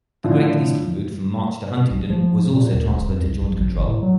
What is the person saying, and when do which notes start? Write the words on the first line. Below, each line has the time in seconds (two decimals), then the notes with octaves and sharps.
The Great Eastern route from March to Huntingdon was also transferred to joint control.
0.24 A2 D3 F3
1.91 B1
2.10 F3
2.51 A#2
2.74 D2
2.93 D1
3.08 F2
3.26 C2
3.40 A#1
3.57 A1
3.71 G1
3.87 A2
4.02 F#3